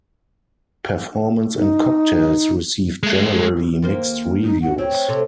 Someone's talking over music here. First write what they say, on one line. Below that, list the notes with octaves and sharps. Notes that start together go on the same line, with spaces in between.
"Performance and Cocktails" received generally mixed reviews.
D#4
G#3 A3
D#2 A#3 C5
D#4
F#5
C4 C#5
C3 A3